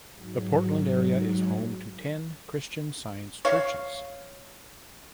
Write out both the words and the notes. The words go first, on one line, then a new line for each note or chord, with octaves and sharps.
The Portland area is home to ten Christian Science churches.
G#2 F#3
C#5 F5